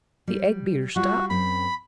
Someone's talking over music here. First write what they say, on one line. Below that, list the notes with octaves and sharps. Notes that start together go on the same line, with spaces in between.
The egg-beater stopped.
G3
G3 F4 F#4
F#2 C4 B5